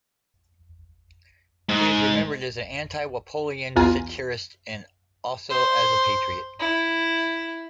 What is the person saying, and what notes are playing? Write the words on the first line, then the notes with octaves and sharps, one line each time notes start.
He is remembered as an anti-Walpolean satirist and also as a patriot.
G#2
B1 E2 F4 G#5 A#5
C5
E4